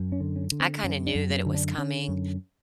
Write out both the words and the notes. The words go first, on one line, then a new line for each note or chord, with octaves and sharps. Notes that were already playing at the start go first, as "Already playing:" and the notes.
I kinda knew that it was coming.
Already playing: F#2
C#4
D3
C#4
D3
C4
F#2 C#4
D4
F#2
C#4
D3
D4
D3 C#4
F#2